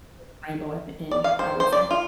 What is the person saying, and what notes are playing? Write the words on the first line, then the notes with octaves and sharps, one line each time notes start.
there's a rainbow at the end, I would say.
D5
F5
C5
C5
D5
F4